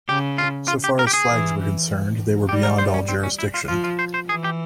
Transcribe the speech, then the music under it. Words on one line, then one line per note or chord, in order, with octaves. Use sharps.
So far as flags were concerned, they were beyond all jurisdiction.
C#3 G4
F4
F4
G4
A#4
G4
G#4
E3
G3 G4
A#4
C5
C#4
C4
C#4
E4
F4
F3 F4
F4
C5
C5
E3 G#4
G4